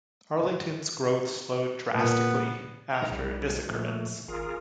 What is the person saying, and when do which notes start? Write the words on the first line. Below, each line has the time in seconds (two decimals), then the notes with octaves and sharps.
Arlington's growth slowed drastically after this occurrence.
1.94 A#2 B3
2.95 A#5
3.11 B1 G3
3.68 A#2 F3 A3
4.28 G#1 F4 G#4 A#4